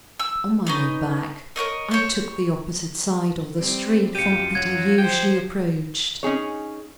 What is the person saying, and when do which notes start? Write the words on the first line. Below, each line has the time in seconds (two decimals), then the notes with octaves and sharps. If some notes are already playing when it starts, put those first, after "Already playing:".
On my way back I took the opposite side of the street from that I usually approached.
0.19 E6
0.67 B3 C#4 D#4
1.56 A#4 B4 C#5 D#5
1.91 C5 C#5
3.57 G3 C4
4.15 F#2 F4 G4 C#7 D#7
4.55 F#3 G#6
4.98 F3 C5 G5
6.23 C#4 D#4 G#4 C#5